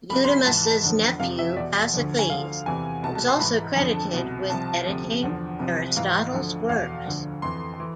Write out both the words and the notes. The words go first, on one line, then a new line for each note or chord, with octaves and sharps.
Eudemus' nephew, Pasicles, was also credited with editing Aristotle's works.
C2 C3 F3 B5
C6
B5
G#2 E3 A5
E2 D3 F3
F2 C3 F3 F5
E5
E2 B2 D5
D2 D3 F3
G#5
D2 D3 F3 F5
E2 C3 E3 G#5
C2 B2 A5
A5
C6
G#2 E3 B5
F2 D3 F3 A5
C2 B2
C2 C3 F3 A5
D2 C3 F3
E2 D3 F3
C2 C3 F3
G#2 E3 F5
D2 D3 F3
E2 B2 F5
D2 D3 F3
F2 E3 C6
E3